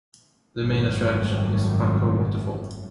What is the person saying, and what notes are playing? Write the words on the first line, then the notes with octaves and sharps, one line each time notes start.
The main attraction is Pacho Waterfall.
G#1 F#2 F#3 G3 A3